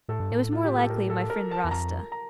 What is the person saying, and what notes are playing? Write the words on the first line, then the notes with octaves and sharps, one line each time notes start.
It was more likely my friend Rasta.
A2 A4
G2
A2
F4
G4
A4
A#4
A4
A#4
A5
E2
F2 A#5
A#5